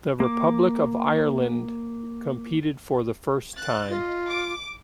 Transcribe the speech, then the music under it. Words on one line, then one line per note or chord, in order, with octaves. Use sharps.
The Republic of Ireland competed for the first time.
A#3 D6
F#6 A6
F4 D#5
D6